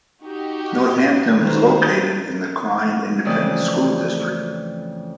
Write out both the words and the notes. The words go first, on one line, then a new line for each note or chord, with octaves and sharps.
Northampton is located in the Klein Independent School District.
D#4 F#4 G4
D#3 A3 B4 C5 A#5
F2 C#3 E3 A3 D5 D#6